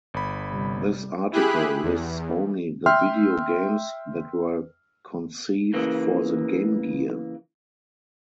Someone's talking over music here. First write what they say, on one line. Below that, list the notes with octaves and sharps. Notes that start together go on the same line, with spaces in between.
This article lists only the video games that were conceived for the Game Gear.
G1 B5
C3 G3
E4 G4 G#4 B5 F#6
E2
E5 G5 C6 F6
C#3 E3 A#3